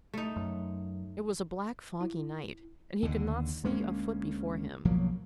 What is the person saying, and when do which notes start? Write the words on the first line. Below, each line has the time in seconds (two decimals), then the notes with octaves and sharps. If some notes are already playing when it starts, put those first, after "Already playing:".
It was a black, foggy night, and he could not see a foot before him.
0.14 A3 D#4
0.37 F#2
2.01 E4
3.03 D#2 D3
3.64 D2 G#3 A#3 C#4
4.85 B1 F3 F#3 A#3